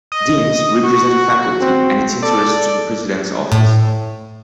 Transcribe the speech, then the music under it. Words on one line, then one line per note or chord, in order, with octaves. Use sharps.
Deans represent a faculty and its interests to the president's office.
D#5
F#4 C#6
C4
A4 D5
A2